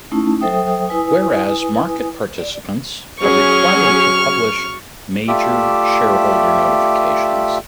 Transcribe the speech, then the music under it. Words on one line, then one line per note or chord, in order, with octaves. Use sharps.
Whereas market participants are required to publish major shareholder notifications.
A3 C#4 D#4 E4 A5
F#3 A4 C5 E5 G5 D#6
E4 B4 G#5 D#6
D5
F#3 C#4 G#4 C#6 F6
A3 F4 G4 D5 E5